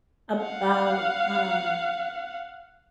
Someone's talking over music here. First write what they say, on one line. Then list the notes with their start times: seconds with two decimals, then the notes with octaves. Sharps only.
about, um
0.37 F5 F#5